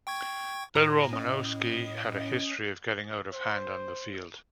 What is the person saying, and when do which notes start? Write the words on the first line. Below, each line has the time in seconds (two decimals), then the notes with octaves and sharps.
Bill Romanowski had a history of getting out of hand on the field.
0.07 G5 C#6 G#6
0.75 A2 A#5
1.13 C#4 D#5
3.34 C5